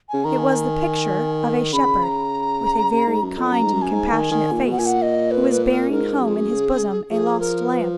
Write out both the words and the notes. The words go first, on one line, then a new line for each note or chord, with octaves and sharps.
It was the picture of a shepherd, with a very kind and compassionate face, who was bearing home in his bosom a lost lamb.
C#3 G#5
D#3 A#5
G#5
C#3 B5
A#5
C#3
G#2
F#2
F2
F#2 A#5
G#2
F#2
G#5
G#2
D#3
D#3
A#2
B2
F#5
A#2 G#5
F#5
D#5
B4
B4
B4
A#4
G#2 A#4
F#2 G#4
F2
F#2
C#3
C#3
F3 G#4
A#4
B4